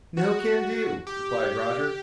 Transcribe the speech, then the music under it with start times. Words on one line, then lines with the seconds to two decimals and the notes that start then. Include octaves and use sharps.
"No can do," replied Roger.
0.17 F#4
1.07 G4